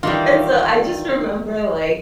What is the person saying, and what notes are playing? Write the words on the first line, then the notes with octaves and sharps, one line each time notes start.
and so I just remember, like,
D#3 E3 G3 F4